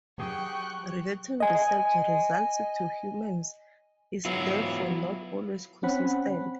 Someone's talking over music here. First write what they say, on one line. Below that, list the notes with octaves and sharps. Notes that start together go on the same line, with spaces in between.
Relating research results to humans is therefore not always consistent.
F#3 G4 G#4 G5 C#6 F#6
D#5 G#5
F#3 B3 E4 F4
C4 C#4 F#5 B5